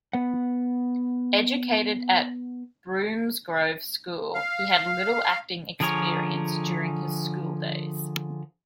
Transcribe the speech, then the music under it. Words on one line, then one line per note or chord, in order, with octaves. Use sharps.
Educated at Bromsgrove School, he had little acting experience during his school days.
B3 F#5
F5
D3 F3 G#4 A#4 C#5